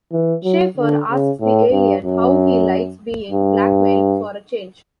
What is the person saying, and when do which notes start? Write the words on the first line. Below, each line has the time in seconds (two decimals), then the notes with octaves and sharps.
Shaeffer asks the alien how he likes being blackmailed for a change.
0.12 E3
0.44 F#3
0.77 D3
1.08 C#3
1.41 A2
1.72 G2
2.04 F#2
3.32 G2